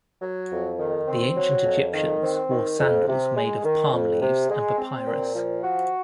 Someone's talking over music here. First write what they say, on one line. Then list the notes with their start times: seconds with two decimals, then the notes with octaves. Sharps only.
The ancient Egyptians wore sandals made of palm-leaves and papyrus.
0.22 F#3
0.51 F2
0.79 D#3
1.08 C4
1.37 F#3
1.64 F2
1.93 D#3
2.22 C4
2.49 D#3
2.79 F2
3.08 C3
3.36 G#3
3.64 D#3
3.92 F2
4.22 C3
4.50 G#3
4.78 C4
5.06 A#2
5.35 F3
5.63 F#4